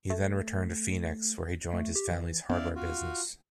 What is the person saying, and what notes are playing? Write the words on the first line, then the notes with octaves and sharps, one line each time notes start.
He then returned to Phoenix, where he joined his family's hardware business.
A3
A3
G4
E3
B3 C#4 E4 D5 F5
F4 F#4